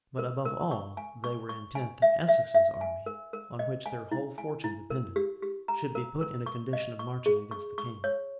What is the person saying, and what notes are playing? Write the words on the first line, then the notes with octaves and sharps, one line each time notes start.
But, above all, they were intent that Essex's army, on which their whole fortune depended, should be put in a condition of marching against the king.
A#4
A#4
C#6
G#5
C#6
C#6
G#5
E5
E5
E5
G#5
A#4
A#4
D#5
G#5
E4
G#5
E4
A#4
G4
G4
A#5
A#4
A#4
C#6
D#5
C#6
G#4
C#6
C#6
C#5